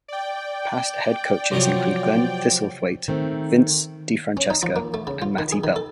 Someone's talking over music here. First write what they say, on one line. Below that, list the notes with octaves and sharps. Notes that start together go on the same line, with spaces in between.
Past head coaches include Glenn Thistlethwaite, Vince DiFrancesca, and Matty Bell.
D5 G5
C3 F3 F#3
D#3 A3 C4
C#4
D#4
F3
A#3
A3
C#3
F4
D#3
G#4
D#3
A4